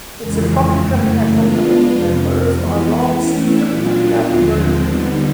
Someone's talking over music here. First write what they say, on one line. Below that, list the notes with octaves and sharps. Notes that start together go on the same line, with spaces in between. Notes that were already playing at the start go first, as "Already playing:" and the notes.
Its Republican National Committee members are Rob Steele and Kathy Berden.
F2 C#3 E3 G#3
F#2 C#3 E3 A3
G#3 B3 D4 F4
F2 C3 F3
E3 G#3 B3
E3 A3 C#4 E4
A#2 F#3 B3 D4 F4
D#2 D3 F3 G#3 C4
D3 G3 B3 D#4